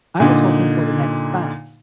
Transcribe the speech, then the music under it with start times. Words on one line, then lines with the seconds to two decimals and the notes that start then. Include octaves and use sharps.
I was hoping for the next dance.
0.20 A#2 D3 D#4